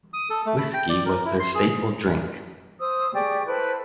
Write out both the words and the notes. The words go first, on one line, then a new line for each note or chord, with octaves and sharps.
Whiskey was their staple drink.
D#6
A4
A3
B5
G5
D5
A#4
E4
C6
G#4
C5 D#6 E6
G4 G#4 D5 C#6
E4 A4 B4 C5